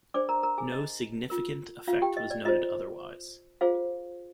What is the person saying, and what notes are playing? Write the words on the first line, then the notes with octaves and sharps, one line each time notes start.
No significant effect was noted otherwise.
D4 G#4 C5 D5 D6
A#4 A#5
A#4 A#5
G#4 G#5
D#5
F4 A#4
F4 F5
G4 G5
D#5
D5
F4 C5 D#5
F4 G#4 C5 F5